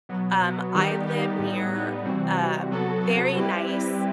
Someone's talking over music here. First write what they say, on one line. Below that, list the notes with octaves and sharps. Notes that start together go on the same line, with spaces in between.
Um, I live near a very nice,
B2 F#3 B3
B2 F#3 B3
D#3 G3 B3 D#4 G4
D#3 G3 B3 D#4 G4
A2 G3 B3 D#4
A2 G3 B3 D#4
C3 E3 G3 C4 F#4
C3 E3 G3 C4 F#4
C3 F#3 B3 F#4 A4
C3 F#3 B3 F#4 A4
G3 C4 E4 G4 B4
G3 C4 E4 G4 B4